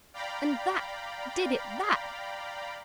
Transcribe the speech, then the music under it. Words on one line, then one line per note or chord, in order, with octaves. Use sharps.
And THAT did it--that!
D5 F5 G5 A#5 B5